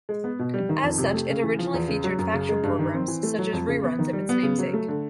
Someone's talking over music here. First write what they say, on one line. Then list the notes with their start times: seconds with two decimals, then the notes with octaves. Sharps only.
As such, it originally featured factual programs, such as reruns of its namesake.
0.09 G#3
0.24 B3
0.39 B2
0.54 G3
0.69 D#3
0.83 F2
0.98 C3
1.13 A3
1.29 C#3
1.44 E3
1.59 F3
1.74 E2
1.88 C#3
2.04 F#3
2.19 F#2
2.34 C#3
2.49 G#3
2.63 G2
2.79 D#3
2.94 C4
3.08 E3
3.23 A3
3.39 F#3
3.53 F2
3.68 C#3
3.83 B3
3.99 D#3
4.13 G3
4.29 B3
4.43 C#3
4.59 F#3
4.74 A3
4.88 D3